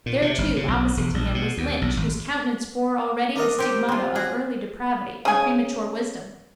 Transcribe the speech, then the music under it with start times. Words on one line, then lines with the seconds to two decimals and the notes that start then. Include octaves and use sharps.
There too, opposite to him, was Lynch whose countenance bore already the stigmata of early depravity and premature wisdom.
0.06 A#2
0.22 C3
0.38 G1
0.56 C#3
0.68 B1
0.97 E1
1.14 A#1
1.35 B2
1.57 D#2
1.82 B1
1.97 G#1
3.36 D4 A#4 D#5
3.59 C4 G4
3.89 C4 F4
4.16 F#4 G#4
5.25 C#3 G#5